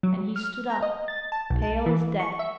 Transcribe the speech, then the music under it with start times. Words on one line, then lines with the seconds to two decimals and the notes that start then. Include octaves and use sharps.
And he stood up, pale as death.
0.03 F#3
0.36 F6
0.70 A#5
0.83 D#5
1.08 A6
1.32 A5
1.50 B1
1.62 A5
1.86 E3
2.20 C#6
2.39 E5